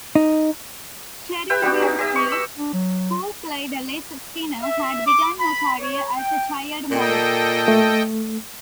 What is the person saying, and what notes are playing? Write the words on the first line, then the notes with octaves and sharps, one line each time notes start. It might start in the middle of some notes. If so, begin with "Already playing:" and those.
Cheryl Burfield, who played Liz Skinner, had begun her career as a child model.
D#4
B4 E5 G5
G3 B3 F#4 G4
D#4 G4
G4 D#5 E5
C#6
E6
D4
F#3
E5
D6
B5
C#5
G5
A#2 A4 D#5 G5
A3